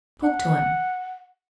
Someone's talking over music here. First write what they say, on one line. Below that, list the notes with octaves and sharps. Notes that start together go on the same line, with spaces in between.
Talk to him.'
F#5